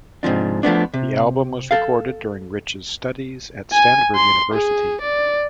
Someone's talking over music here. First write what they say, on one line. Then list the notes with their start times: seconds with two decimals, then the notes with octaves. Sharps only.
The album was recorded during Rich's studies at Stanford University.
0.23 G#2 C3 F3 D4
0.63 F3 A3 B3 D4
0.94 C3
1.71 A4 F5
3.73 G#5
4.16 C6
4.54 G#4
5.01 D5